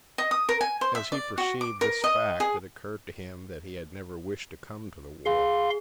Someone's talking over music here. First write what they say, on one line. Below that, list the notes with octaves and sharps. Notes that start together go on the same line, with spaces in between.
As he perceived this fact it occurred to him that he had never wished to come to the war.
D#5
D#6
A#4
G#5
C5
E5
D5
F#4
D6
A#4
D#5
G#4
G#4 F5 C6